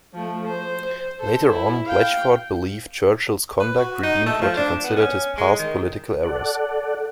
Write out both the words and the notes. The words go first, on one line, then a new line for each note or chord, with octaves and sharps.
Later on, Blatchford believed Churchill's conduct redeemed what he considered his past political errors.
F3 A3
C5
A4 C5
E4
F5 G5
B4
F#4
D#4
A3
F3
D4
B3
C#4
G#3
D#3
A4 D5 F#5